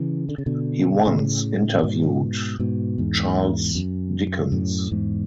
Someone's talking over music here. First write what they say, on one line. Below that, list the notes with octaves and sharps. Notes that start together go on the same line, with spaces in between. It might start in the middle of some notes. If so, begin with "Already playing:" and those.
He once interviewed Charles Dickens.
Already playing: C#3 E3
D3
C#3
B2 D3
A2 C#3
G#2 B2
G#2 B2
E2 G#2
F#2
F#2 A2
E2 G#2